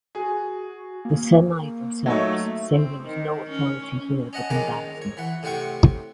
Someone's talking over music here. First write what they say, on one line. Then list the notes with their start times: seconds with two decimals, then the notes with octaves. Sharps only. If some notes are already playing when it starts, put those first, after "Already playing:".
The Semai themselves say There is no authority here but embarrassment.
0.15 F#4 G#4
1.05 A#3
2.06 F#3 A3 D#4 C#5
2.73 C4
3.03 D#3
3.48 C#4
4.33 C#4 D#5 F#5 A5
4.50 A#1 D#3 G#3 C#4 A#5 D6
5.02 C#5
5.17 E3 F#5
5.43 A2 C3 C5 F#5 G5 C#6